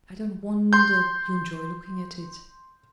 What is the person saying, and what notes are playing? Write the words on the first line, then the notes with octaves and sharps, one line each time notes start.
I don't wonder you enjoy looking at it.
C6 G6